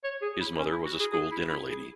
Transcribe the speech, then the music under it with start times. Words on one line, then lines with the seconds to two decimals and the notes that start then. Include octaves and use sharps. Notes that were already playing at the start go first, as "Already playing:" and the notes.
His mother was a school dinner lady.
0.04 C#5
0.22 G#4
0.41 E4
0.59 C#4
0.72 E4
0.85 F#4
1.00 G#4
1.13 G#4
1.31 E4
1.50 E4
1.68 G#4